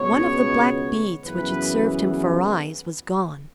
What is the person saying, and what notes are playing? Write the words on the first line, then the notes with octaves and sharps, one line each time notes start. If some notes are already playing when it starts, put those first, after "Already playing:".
One of the black beads which had served him for eyes was gone.
Already playing: C#2 B2 B3 C#5
F#2 C#3 E3 B3 B4